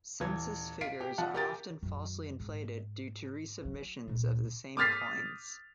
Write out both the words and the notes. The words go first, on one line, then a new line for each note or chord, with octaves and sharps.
Census figures are often falsely inflated due to resubmissions of the same coins.
D#1 E3 G#6
F5 B6 C7 D7
G4
F3 F#5 A5
G4 A#4 A6
F#2 D#3
G#2
F#3
D2 A#2
D6 D#6 F6 A6 B6 C7